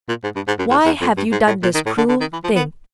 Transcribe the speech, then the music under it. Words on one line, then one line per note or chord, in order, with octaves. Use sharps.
"Why have you done this cruel thing?"
A#2
G#2
G2
G#2
F#2
E2
E2
F2
G2
G#2
A2
A#2
D#3
A2
D3
D3
D#3
E3
F3
B3